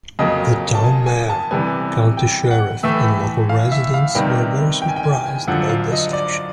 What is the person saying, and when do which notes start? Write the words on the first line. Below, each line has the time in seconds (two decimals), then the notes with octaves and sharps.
The town mayor, county sheriff, and local residents were very surprised by this action.
0.19 F2 C#3 F#3 A#3 D#5
0.75 A5
0.84 G#5
1.06 G#5
1.29 A5
1.51 C3 E3 G3 B3 G#5
2.17 G5
2.51 F#5
2.83 A2 E3 A3 E5
3.49 F5
3.72 E5
3.94 F5
4.15 C3 D#3 G3 B3 G5
4.82 G5
4.89 G#5
4.96 G5
5.04 G#5
5.26 G#5
5.48 F#2 D3 F3 F#5
5.70 F5
5.92 D#5
6.13 D5